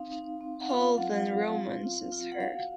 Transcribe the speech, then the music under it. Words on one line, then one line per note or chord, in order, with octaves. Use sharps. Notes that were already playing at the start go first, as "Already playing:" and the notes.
Hall then romances her.
Already playing: C4 D#4 F5
D#4
C4
F#5
F4 F5
F#3 F#5
F4 F5
C4
F4
F4
F#5
F#4 F5